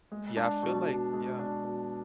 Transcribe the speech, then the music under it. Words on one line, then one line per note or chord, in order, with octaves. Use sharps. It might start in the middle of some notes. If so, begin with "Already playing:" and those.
Yeah, I feel like yeah.
G#3
D4
B2
B2
G#3
D4
B2